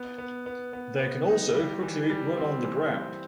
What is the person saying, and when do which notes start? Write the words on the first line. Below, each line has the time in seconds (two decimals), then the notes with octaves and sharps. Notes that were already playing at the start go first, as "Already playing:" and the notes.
They can also quickly run on the ground.
Already playing: B3
0.18 B3
0.46 B3
0.73 B3
1.00 B3
1.28 D#4
1.55 G3
1.82 E3
2.10 G3
2.37 C4
2.65 E3
2.92 C4